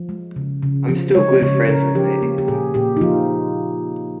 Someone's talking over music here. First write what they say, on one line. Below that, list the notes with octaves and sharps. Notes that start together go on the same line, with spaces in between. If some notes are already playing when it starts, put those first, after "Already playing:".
I'm still good friends with my ex-husband.
Already playing: F3
G#3
C#3
C#3
F3
G#3 C#5
C#3 C#5
C#3 A#4
F3 G4
A#3
G4
A#2 G#4
A#2 G4
D#4
F3 F4